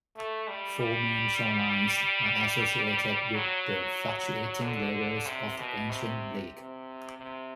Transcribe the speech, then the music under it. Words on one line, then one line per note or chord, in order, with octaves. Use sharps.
Four main shorelines are associated with the fluctuating levels of the ancient lake.
A3
G3
G3
F#3
D3
C3
B2
C3
C3
C3